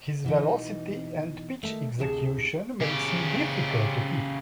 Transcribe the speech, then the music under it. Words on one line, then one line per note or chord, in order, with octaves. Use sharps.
His velocity and pitch execution makes him difficult to hit.
B2 E3 D#4
D#3 A3
D2 A2 C3 G#4 A5
C#3 G4